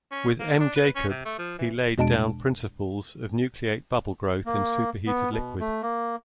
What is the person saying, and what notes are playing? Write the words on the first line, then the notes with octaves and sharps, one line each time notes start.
With M. Jakob he laid down principles of nucleate bubble growth in superheated liquid.
C#4
A#3
D4
B4
C#4
C3
A3
F3
E3
E2 B2 G#3 D4 A5 D7
A#3
B3
B2
A3
A#3